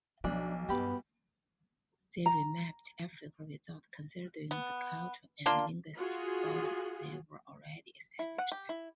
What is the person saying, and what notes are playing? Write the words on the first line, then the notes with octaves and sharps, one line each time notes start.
They remapped Africa without considering the cultural and linguistic borders that were already established.
B1 F3 D4
G2 B3 G4 B5
A#5
B3
A#3 D4 F4 C6
F4 F#4 G#4
E4
F#5
G4
E4